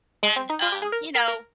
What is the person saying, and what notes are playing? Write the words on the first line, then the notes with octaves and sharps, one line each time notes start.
and, um, you know
G#3
C4
D#4
F4
G4
G#4
A#4
A#4
A#4